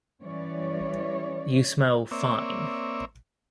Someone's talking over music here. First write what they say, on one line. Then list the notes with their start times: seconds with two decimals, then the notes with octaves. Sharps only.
You smell fine.
0.23 E3 G3 C#4 C#5 D5
2.11 A#3 C4 C#5 D5 E5